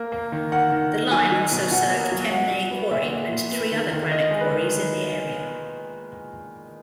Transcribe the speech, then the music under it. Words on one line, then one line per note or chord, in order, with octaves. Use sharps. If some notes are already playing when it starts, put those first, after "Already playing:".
The line also served Kemnay Quarry and three other granite quarries in the area.
Already playing: A#3
A#3
D#3
D#3 F#5
D#3
D#3
F#3 G#5
F#3
B2
B2 F#5
A#3
F#3
F#3 F#5
F#3
B3
A#2 E5
A#2
A#2
B3
D#3
D#3
D#3 D#5
G#3
B4
D#3